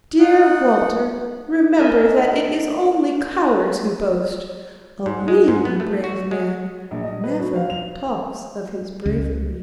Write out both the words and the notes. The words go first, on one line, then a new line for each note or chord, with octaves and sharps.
'Dear Walter, remember that it is only cowards who boast; a really brave man never talks of his bravery.'
D#4 F#5
D#4 A4 A#4 D#5 E5 G#5
G#2
G#3
G#2
B3
A3
F#4
G#3
A#1
D#5
B4
F#4
F5
F7
C#2